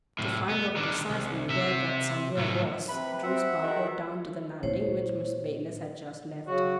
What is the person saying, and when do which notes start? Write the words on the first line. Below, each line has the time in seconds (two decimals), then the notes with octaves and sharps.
To find out precisely where that somewhere was drew Spargo down to the landing which Miss Baylis had just left.
0.19 C2 A2
0.49 B3
0.76 D#3 D4
1.10 C2
1.49 C3 E5
2.37 A2 F#3
2.89 C3 B4 B5
3.23 C4 E5 F#5
3.60 E2 B2 D#3
4.63 A#2 E4 C5 C#5
6.47 C#3 F#3 F#4